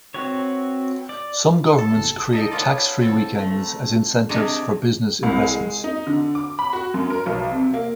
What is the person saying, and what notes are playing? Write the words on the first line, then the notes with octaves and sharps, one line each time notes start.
Some governments create tax-free weekends as incentives for business investment.
C4 F#4 B4 C#5
D5
A4
D#4 A4 G5
B3 C#4 F4 D5
C4 A4
A3
C3 G#3 C4 D4 D#4 D5
C2
G#3
D#4
D3
D6
B5
F#4
F#2
A#4
B1
C3
A#3